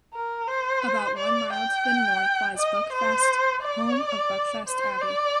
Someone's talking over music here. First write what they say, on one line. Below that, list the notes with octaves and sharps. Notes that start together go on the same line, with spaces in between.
About one mile to the north lies Buckfast, home of Buckfast Abbey.
A#4
C5
D5
G5
D#5
C5
D5
C5
D5